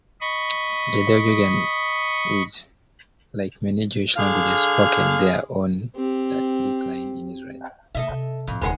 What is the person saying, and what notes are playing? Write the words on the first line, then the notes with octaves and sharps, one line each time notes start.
Judaeo-Georgian is, like many Jewish languages spoken there, on the decline in Israel.
D#5 B5 C#6
D3 G#4 F5
C4 G4
B2 A3 A4 D#5 E5
C3
F2 A2 F4
D#1 D3 G#3 B4 F#5